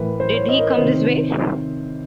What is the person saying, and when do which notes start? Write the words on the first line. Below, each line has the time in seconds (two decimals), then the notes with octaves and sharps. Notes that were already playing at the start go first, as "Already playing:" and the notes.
Did he come this way?
Already playing: A2 E3 A#4 B4
0.20 C5
0.34 C#5
0.49 D#5
0.59 A#4
0.69 B4
0.78 C3 D#3 C5